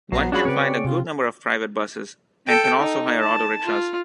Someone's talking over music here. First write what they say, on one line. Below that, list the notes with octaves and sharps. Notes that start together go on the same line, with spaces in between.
One can find a good number of private buses, and can also hire auto-rickshaws.
A#1 F#3 B3 A#5 C7
F#3 C#4 D4 F4 F#4 G#4 B5
C#3 C4 B4 C#5 D5
C3 F4
A4 G5
D#4
A5
F4